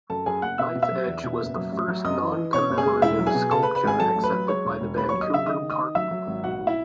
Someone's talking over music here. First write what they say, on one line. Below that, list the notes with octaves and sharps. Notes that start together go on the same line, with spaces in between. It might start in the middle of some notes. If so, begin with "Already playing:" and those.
Knife Edge was the first non-commemorative sculpture accepted by the Vancouver Park Board.
F#2 A4 A5
F#2 G#4 G#5
F#1 F#5 F#6
B2 E5 E6
B2
E5 E6
F#3
E2
B2
F#1
F#3
A1
F#3
F#2 D#5 D#6
E3
E3
B2 C#5 C#6
F#1
G#4 G#5
G#3
E1 E4 E5
F#3
G#4 G#5
B2
C#3 A4 A5
C#3 B4 B5
B4 B5
G#1 G#4 G#5
F#3 A4 A5
A1
B4 B5
F#3
G#3 C#5 C#6
E1
E1
D#2 B4 B5
F#3 C#5 C#6
D#5 D#6
C#3 E5 E6
D#3 D#5 D#6
D#3
D#5 D#6
D#3
F#3 E5 E6
F#3
G#1
B1 F#4 F#5
B1
E4 E5